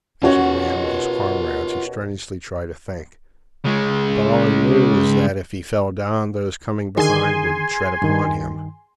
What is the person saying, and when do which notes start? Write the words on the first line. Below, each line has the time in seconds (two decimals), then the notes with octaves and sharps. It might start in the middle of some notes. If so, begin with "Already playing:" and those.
As he ran with his comrades he strenuously tried to think, but all he knew was that if he fell down those coming behind would tread upon him.
0.23 D#2 B2 C#4 F4 F#4 C#5 F#5
3.65 C#3 G#3
6.97 D3 D#3 G#4 G#5 C6
8.02 G2 D#3